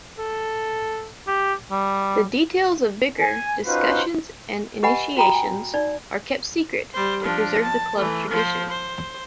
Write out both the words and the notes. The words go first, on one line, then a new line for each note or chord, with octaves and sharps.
The details of bicker, discussions and initiations are kept secret to preserve club tradition.
A4
G4
G3
G#5
C#4 D#4 F4 F#4 B4 C5
G4 B4 D#5 F#5 G#5 B5
F#4 G5 A#5 B5 D#6
G#5
D#4 D5
G3 C5
F3 D4
A5
E3 A3
F3 C5
C5